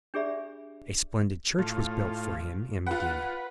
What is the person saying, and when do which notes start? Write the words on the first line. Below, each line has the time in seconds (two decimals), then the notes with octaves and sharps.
A splendid church was built for him in Medina.
0.14 D4 G4 G#4 D5 E5 B5
1.59 A2 F4
2.87 F4 B4 F#5